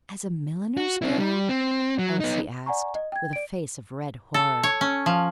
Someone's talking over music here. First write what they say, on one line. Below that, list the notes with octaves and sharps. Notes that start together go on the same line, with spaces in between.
'As a milliner's girl?' Elsie asked, with a face of red horror.
F#4
C4 E4
G3
C4
F#3
B3 D#4
D5 F#5 G#5 A#5 C#6
D#5
G5 G#6
D5 D7
A4
C#5
C#4
F3